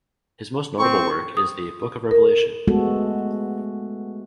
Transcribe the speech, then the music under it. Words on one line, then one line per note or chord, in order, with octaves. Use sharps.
His most notable work is the "Book of Revelation".
C4 C#6
D#6
A#4
G#3 A3 B3 F#4 A4